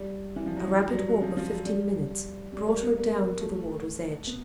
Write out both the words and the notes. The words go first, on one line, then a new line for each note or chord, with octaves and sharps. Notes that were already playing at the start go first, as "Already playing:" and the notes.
A rapid walk of fifteen minutes brought her down to the water's edge.
Already playing: G3
E3
F3
F#3
G3
G#3
F#3
G3
F#3
F3
F3
F#3
G3
G3
A#3
B3
A#3
A3
B3